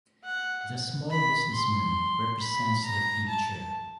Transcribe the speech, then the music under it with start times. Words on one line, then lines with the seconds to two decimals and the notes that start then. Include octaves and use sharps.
The "Small Businessman" represents the future.
0.24 F#5
1.10 B5
1.54 C6
2.40 B5
2.84 A#5
3.28 A5